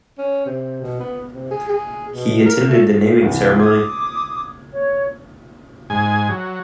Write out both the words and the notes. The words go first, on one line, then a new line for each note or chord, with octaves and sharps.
He attended the naming ceremony.
C#4
C3
B2
B3
C3
G#4
G#4
B2
A#4
A3
C2 E3
D6 D#6 G#6
C#5
G#2 G#5
F#3